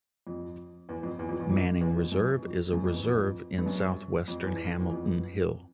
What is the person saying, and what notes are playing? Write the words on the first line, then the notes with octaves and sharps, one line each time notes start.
Manning Reserve is a reserve in southwestern Hamilton Hill.
F2
E2
F2
E2
F2
E2
F2
E2
F2
F#2
F2
F#2
F2
E2
F2
G2
F#2
F2
E2
E2
F2